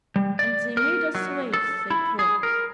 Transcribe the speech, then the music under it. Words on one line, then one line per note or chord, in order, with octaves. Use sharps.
"And they made us slaves," said Trot.
G3
D5
A#4
F#3
A4
E4
G#4
A#4